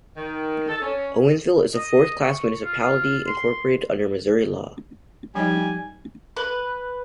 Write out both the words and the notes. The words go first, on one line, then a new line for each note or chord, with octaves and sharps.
Owensville is a fourth-class municipality incorporated under Missouri law.
D#3
A4
C#4
D#5
C#6
F4
F4
C6
F3 G3 D#4 D#5 G#5
B4